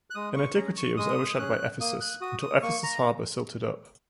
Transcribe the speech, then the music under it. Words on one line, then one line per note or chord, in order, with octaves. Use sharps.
In antiquity it was overshadowed by Ephesus, until Ephesus' harbor silted up.
F#6
G#3 D#6
C#6
C#4 G#4 A#5
C#6
G#3 D#6
D#6
C#4 G#4 F#6
A#3 D#6
F#6
F#4 D#6
D#6
A#3 C#6
A#5